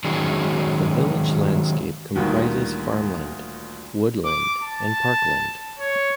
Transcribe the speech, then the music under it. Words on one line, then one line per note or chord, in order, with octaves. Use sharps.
The village landscape comprises farmland, woodland and parkland.
D#3 F#3 G#3 C#4 F#4 G#4
D2 G2 A#2 D#3
D6
A5
C#5